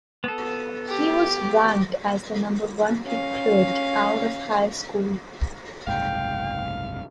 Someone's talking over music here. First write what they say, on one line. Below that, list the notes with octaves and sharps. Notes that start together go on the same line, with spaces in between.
He was ranked as the number one recruit out of high school.
B3 A4
G4
C#4 F5
F#1 C2 G#2 F5 G5